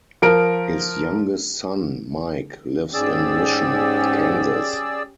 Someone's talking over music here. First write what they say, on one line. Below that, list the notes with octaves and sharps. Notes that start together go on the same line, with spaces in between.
His youngest son, Mike, lives in Mission, Kansas.
F3 A#4 D7
G#2 C#4 G4 G#4 D5 E6